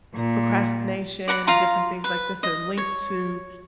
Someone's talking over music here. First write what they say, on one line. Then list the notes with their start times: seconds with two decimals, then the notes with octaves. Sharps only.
procrastination and different things like this are linked to,
0.14 A#2
1.28 D5 F#5 A#5 B5
1.47 F4 F5 A#5 C6
2.04 B4
2.43 D#5
2.77 C#5